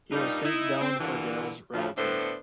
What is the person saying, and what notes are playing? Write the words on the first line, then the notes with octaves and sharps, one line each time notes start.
He was St. Dallan Forgaill’s relative.
G2 A#2 G3 D#4
D#4 E4
C4
G2 A#2 D3 E3
D2 C#3 F3
A2 D3 B3 D4 C5